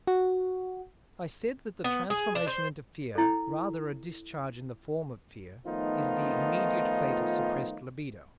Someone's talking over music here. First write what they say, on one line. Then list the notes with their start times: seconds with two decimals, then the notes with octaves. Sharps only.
I said that the transformation into fear, rather a discharge in the form of fear, is the immediate fate of suppressed libido.
0.07 F#4
1.84 B3
2.10 G#4
2.35 D4
2.47 C5
3.15 E4 A4
5.67 D#3 F3 A3 B3 D#4 F4